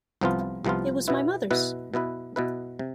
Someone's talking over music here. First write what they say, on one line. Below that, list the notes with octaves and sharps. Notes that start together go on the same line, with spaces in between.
It was my mother's.
C2 C3 F3 B3 F4
C2 C3 F3 B3 F4
B2 B3 E4 B4
B2 B3 E4 B4
B2 B3 E4 B4
B2 B3 E4 B4
C3